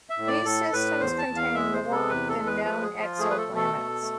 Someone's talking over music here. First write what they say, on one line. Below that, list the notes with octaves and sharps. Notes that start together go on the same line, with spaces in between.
These systems contain more than known exoplanets.
E5
A2
D5
A2 A4
A2 B4
E2 C5
A5
E2
F5
G#3 E5
C5
C3
A4
E2 B4
A4
G#3
B4
F3 B4
G#4
F3
F4
A3 G#4
B4
A4
B2
A4
B2
A3